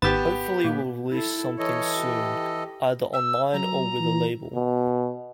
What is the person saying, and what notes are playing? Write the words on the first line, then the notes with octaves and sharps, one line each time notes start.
Hopefully we'll release something soon, either online or with a label.
G#1 B3 G4 A6 E7
A#2
E4 A4
E3 A4 C#5 D#5
G4
E6
F#3 A#5
E3
B2